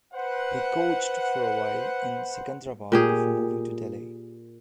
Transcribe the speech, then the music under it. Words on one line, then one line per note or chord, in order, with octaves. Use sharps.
He coached for a while in Secunderabad before moving to Delhi.
B4 C5 F#5
A#2 G4 G#4